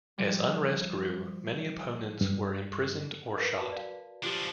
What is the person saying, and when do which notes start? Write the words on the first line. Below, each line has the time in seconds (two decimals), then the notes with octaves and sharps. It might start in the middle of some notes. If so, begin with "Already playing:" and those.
As unrest grew, many opponents were imprisoned or shot.
0.18 F3 G3
2.21 G2
3.38 A#4 B4 F5
3.57 F#4 A5 B5
3.72 D5 F5
4.24 F3 D4 F4 G4